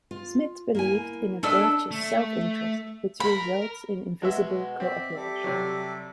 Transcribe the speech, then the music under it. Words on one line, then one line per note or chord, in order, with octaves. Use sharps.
Smith believed in a virtuous self-interest which results in invisible co-operation.
F4
A#3 E4 G#5
A3 D4 A4 D5 A5 E6
A3
A#4 B5
B2 G#3 F#4 E5 C6
C4 D5 E5
G3 A4 E5 D6
C3 F#3